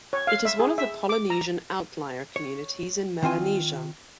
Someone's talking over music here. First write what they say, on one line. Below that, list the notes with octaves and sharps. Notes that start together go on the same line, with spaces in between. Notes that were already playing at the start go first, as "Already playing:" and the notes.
It is one of the Polynesian Outlier communities in Melanesia.
C#5
F5
E5
G#4
E5
D6
A#5
C#5
D#3 C4 F4 G#5